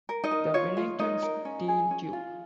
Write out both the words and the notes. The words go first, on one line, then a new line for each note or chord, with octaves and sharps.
The Wellington Steel Tube.
A#4
D#4 D#5
A#4
F4 C#5
F4
D#4 A#4 D#5
A#4
C#4
G#4
C#4
F4